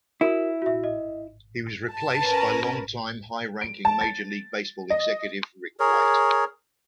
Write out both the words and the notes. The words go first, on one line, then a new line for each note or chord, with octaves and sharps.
He was replaced by longtime high-ranking Major League Baseball executive Rick White.
E4 F#4 A#4
F#4 E5
D#5
A5
C#4 A#4 B4
D7
A5
A6
D#5
G#4 A#4 C#5